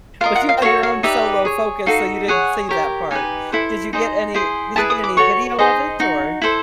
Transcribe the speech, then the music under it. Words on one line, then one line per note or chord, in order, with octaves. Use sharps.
But you had your own solo focus, so you didn't see that part. Did you get any Did you get any video of it, or
F4 A#4 D#5 F5
F#5
F5
F#4 A4 C#5 F5
F5
D#4 G4 B4 D5 E5
G#4 C#5
D#4 F#4 A4 F5
G#4 C#5 F#5
G4 A#4 C#5
D#4 G4 B4 G#5
E4 A4 C5
D#4 G#4 C5 D#5
E4 G#4 C5
E4 G#4 B4 A5
D#6
D6
F#4 A4 C#5 C#6
D#4 G#4 C5 D#5
D#4 F#4
E4 A4 C5